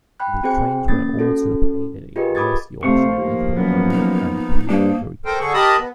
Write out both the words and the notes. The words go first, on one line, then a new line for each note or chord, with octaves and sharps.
The trains were also painted in West Yorkshire Metro maroon and cream livery.
G5 B5 F#6
C4 F#4 G#4 C5 G5
A#3 C#4 A6
C#4 F#4 A4
F4 G4 G#4 A#4 B4 D#5
B5 D6 D#6 G#6 A6
C3 A3 C5 F5 C#6
D#2 F3 A#3
F#2 B3
D#4
G2 A#3 D4 D#4 C5
A4 A#4 C5 G5
D3 G#4 A4 C#6
G4 A#4 D#5 A5 B5 D#6
B3